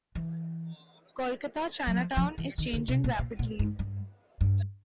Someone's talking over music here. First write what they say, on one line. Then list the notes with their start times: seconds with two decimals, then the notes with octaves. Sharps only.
Kolkata Chinatown is changing rapidly.
0.15 E3
1.87 F#3
1.97 F3
2.17 F3
2.38 E3
2.58 D#3
2.73 D3
2.88 C3
3.04 A#2
3.19 A#2
3.39 A#2
3.59 G#2
3.79 G2
4.41 G2